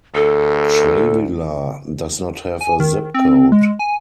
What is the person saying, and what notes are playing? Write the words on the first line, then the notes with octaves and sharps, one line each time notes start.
Travilah does not have a zip code.
D2 A4
G#5
D#3
C4
G#3
G#5